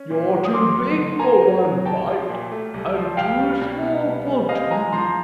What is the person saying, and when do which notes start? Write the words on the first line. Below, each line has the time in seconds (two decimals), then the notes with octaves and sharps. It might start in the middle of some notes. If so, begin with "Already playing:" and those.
You're too big for one bite, and too small for two.
Already playing: C#4
0.10 A#2
0.31 G#3
0.45 D#6
0.54 F#2 C6 D6
0.75 F#3
0.98 D3
1.19 A#3 G#5 A#5
1.42 F#2
1.64 F#3
1.85 C2 G5 A5
2.08 F3
2.29 A#2
2.51 A3
2.74 C2
2.96 F3
3.17 C2 F5 G5
3.40 G3
3.61 B2
3.82 B3
4.04 C2
4.27 G3
4.49 C3 D#5 F5
4.71 G#3 G#5 A#5
4.92 F3 A#5 C6